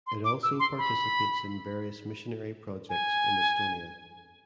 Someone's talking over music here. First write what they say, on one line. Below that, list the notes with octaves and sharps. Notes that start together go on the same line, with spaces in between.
It also participates in various missionary projects in Estonia.
C6
D6
E6
C6
B5
G#5